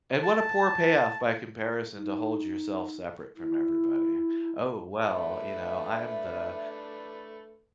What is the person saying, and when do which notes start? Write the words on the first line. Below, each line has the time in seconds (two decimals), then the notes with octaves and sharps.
and what a poor payoff by comparison to hold yourself separate from everybody. "Oh, well, you know, I am the
0.23 A5
1.95 D#4
3.35 E4
5.06 A3 D4 B4 E5